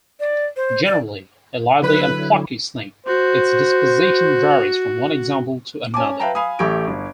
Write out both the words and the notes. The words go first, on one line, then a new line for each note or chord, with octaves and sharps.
Generally a lively and plucky snake, its disposition varies from one example to another.
D5
C5
D5
D3 F#3 E4 B4
F#4 C5
C#4 G#5 A5 D6
B4 E5 F5 G5 A5 A#5
F5 G#5 B5 D#6
A1 A3 G4 C#6 G#6 D7
G1